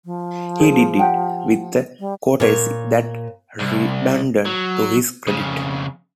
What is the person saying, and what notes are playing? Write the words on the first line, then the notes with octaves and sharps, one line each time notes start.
He did it with a courtesy that redounded to his credit.
F3
G#4 C5
G4 F#5 G5
G3
A#2 C#5
C2
F#3
F2 C#3